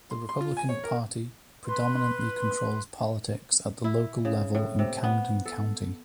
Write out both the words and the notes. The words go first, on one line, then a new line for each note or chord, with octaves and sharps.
The Republican Party predominantly controls politics at the local level in Camden County.
C6
C6
F4
G#5
C#5
A#4
B4 C6
E4
C#3
A2
C3
B3
A4